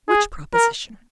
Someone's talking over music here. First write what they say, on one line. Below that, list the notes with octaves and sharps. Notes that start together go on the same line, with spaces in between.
"Which proposition?"
G#4
A#4